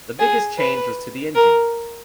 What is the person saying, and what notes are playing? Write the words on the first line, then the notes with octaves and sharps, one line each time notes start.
The biggest change was to the engine.
G#4
B4
A#4